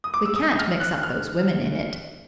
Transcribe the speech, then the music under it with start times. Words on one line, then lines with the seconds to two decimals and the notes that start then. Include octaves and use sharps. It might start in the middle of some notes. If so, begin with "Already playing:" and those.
We can't mix up those women in it.
0.04 D#6
0.14 D6
0.25 E6
0.36 D#6
0.59 F6
0.80 F#6
0.94 F#6
1.03 F6